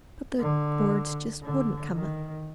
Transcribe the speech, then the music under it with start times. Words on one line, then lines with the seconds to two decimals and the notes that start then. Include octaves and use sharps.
But the words just wouldn't come.
0.39 D3
1.43 D3
1.95 D#3